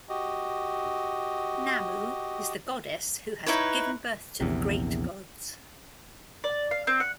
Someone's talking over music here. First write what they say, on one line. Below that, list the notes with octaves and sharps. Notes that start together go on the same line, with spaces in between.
Nammu is the goddess who "has given birth to the great gods".
F#4 G4 D#5
D#4 E4 B4 C#5
A#1 E2 C3
D5
F5
C4
F#5